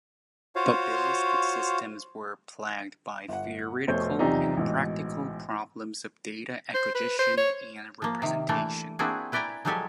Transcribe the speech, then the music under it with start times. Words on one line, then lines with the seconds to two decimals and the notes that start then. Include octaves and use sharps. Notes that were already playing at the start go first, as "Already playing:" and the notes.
Probabilistic systems were plagued by theoretical and practical problems of data acquisition and representation.
0.56 F4 F#4 C5 C#5 F5
3.28 G1 F#5
3.87 F1 B2 A3 C5 C#5 G6
4.19 B1 E2 C3 F3 D#4 D5
4.57 A1 G#2 B2
6.74 C5
6.95 B4
7.19 C5
7.37 C#5
8.02 F3 A#3
8.22 C3 D#3
8.49 E3 A3 A#3 D4
8.99 A#3 C4 D4 E4 F#4 G#4
9.32 E4 B4 D5 G5 G#5 A#5
9.65 F3 F#3 G#3 G4 A4 G#5